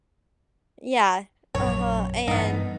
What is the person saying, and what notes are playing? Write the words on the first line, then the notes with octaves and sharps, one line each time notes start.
Yeah. Uh-huh, and,
A#1 F#2 C#5
G2 E3 B3 D#4